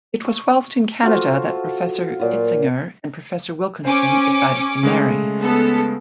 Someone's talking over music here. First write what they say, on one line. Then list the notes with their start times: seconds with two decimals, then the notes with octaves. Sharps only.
It was whilst in Canada that Professor Kitzinger and Professor Wilkinson decided to marry.
0.25 C#6
1.03 F4 F#4 A4 C5
2.20 A#2 F#3 F4
3.85 C#4 C5 D6
4.83 C#3 G#3 A3
5.40 B3 A4